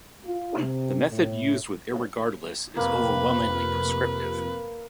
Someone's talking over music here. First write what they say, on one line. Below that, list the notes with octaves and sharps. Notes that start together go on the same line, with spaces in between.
The method used with "irregardless" is overwhelmingly prescriptive.
F4
C3
A2
F2 C3 A#3 B4